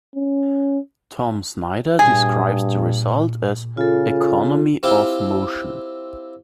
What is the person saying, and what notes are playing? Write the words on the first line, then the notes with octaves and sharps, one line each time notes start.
Tom Snyder describes the result as "economy of motion".
C#4
G2 A#2 G#4
C#3 F4 A4
C4 E4 F4 G4